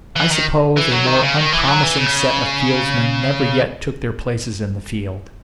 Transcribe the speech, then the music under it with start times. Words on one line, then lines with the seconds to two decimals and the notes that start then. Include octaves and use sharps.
I suppose a more unpromising set of fieldsmen never yet took their places in the field.
0.16 E3
0.31 D#3
0.77 E3
0.92 F#3
1.07 D#3
1.22 C#3
1.37 D#3
1.52 E3
1.67 F#3
1.82 E3
1.97 C#3